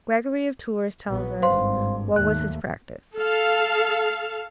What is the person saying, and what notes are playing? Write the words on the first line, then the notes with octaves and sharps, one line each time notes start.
Gregory of Tours tells us what was his practice.
A#1 F#3 B3
G#1 G2 C5 F5 C6
D#2 A3 F#6
A4 F5